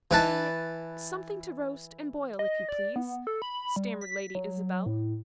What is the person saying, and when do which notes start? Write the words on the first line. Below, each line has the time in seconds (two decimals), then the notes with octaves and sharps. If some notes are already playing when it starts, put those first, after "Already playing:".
"A----Something to roast and boil, if you please," stammered Lady Isabel.
0.11 E3 B4 A5
2.39 D#5
2.69 D5
2.96 B3
3.27 A4
3.42 B5
3.76 G3
4.01 B6
4.35 F#3
4.86 A2